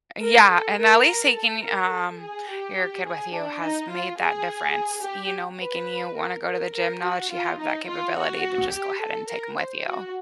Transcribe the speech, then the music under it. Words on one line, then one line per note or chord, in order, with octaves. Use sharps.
A Yeah, and at least taking, um, your kid with you has made that difference, you know, making you wanna go to the gym now that you have that capability to just go ahead and take 'em with you.
A#4
A4
A#4
A4
A#4
A4
G#4
G4
G#4
D4
D#4
F4
G#4
G4
B4
A#4
A#4
A#4
F#4
F4
D#4
F4
F#4
G4
A4
A#4
C5
F#4